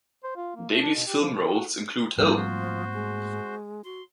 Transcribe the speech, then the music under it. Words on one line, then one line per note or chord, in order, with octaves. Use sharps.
Davies' film roles include Oh!
C5
F4
A#3
A3
D4
B2
G4
F3
A4
F#4
G#2 F3 G3 A3 A#3 C4 G5
F#4 C5
G#3
F#4 C6